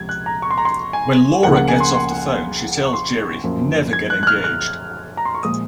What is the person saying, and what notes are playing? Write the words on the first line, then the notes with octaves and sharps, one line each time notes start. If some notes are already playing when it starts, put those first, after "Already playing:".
When Laura gets off the phone she tells Jerry: Never get engaged.
Already playing: C#2 C3 F3 G#3 G#6
F#6
A#5
C#6
C6
A#5
C6
G#5
C#2 C#3 F3 A#3 F#5
F#5
G#5
C6
C6
C#6
C6
F#2 F3 A#3
G#6
F#6
F#6
F6
F#6
A#5
C6
C#6
A#2 F3 G#3 D#6